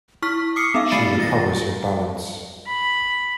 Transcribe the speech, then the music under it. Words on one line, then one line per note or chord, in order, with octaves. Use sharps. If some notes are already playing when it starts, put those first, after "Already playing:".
She recovers her balance.
E4 C#6 F6 B6
D6 D#6 C7 C#7
B3 D#4 E5 F5
D#3 A3 B5 A6 C7 C#7
F4 A6 A#6
B5